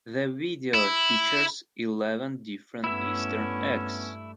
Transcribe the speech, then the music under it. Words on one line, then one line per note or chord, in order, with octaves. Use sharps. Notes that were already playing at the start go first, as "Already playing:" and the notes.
The video features eleven different Easter eggs.
E4
G2 A3 B3 C#4 E4 E5